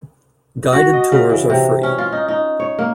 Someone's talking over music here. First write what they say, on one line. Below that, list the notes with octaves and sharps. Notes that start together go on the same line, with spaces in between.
Guided tours are free.
F#4
D#5
C#3
E3
C3
C#4
F4
D#4
D#4
C#5
A#3